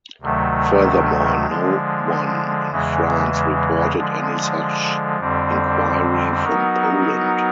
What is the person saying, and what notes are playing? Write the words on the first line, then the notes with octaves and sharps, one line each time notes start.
Furthermore, no one in France reported any such inquiry from Poland.
D2 C3 D#3 F#3 A3
D3 F3 G#3
E2 C#3 E3 G#3
D3 F3 G#3
F2 D3 G3 C4
F#3 B3 D#4 F#4 A#4